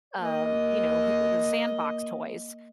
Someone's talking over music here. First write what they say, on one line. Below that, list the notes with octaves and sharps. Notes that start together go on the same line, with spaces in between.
um, you know, who the sandbox toys,
A#3 D#5